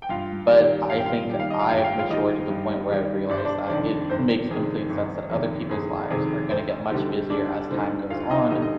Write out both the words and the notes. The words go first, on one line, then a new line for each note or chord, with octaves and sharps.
But I think I've matured to the point where I realized that it makes complete sense that other people's lives are gonna get much busier as time goes on
G5
G2 F4 F5
D#3 G3 G4 G5
G2 F5
G5
F4 F5
D#3 G3 G5
F5
D#5
F4 F5
G2 F5
G5
F5
G5
F4 F5
D#3 G3 D#4 D#5
G2
D#3 G3
G1 D5
C5
D4 D5
C5
F2 C3 D#3 D4 D5
G1 C4 C5
F2 C3 D#3 G#4
G1
F2 C3 D#3
G1 G#4
F2 C3 D#3 G#4
D2 C4 C5
D3 G3 C4 D#4
D2 D4 D5
D3 G3 C4 D#4
D2 F4 F5
D#4 D#5
D3 G3 C4 D#4 D#5
D#5